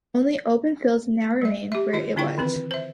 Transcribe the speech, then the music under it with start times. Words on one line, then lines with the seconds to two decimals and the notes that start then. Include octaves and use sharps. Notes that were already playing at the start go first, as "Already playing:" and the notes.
Only open fields now remain where it was.
1.42 G3 E5
1.72 G4 E5
1.93 D#3 F4 D#5
2.16 D3 D4 E4 F4 G5 C#6
2.38 D#3 E3 C4 B4
2.71 C5 E5